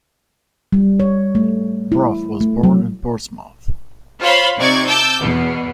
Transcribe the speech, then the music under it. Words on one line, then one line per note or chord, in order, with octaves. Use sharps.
Bruff was born in Portsmouth.
G3
C#5
A3
E4
A3
F#3
F4 C5 C#5 F5 B5 C6
C3 D#4 D5 C#6 G#6
A5 D6 E6 G6
E2 B2 B3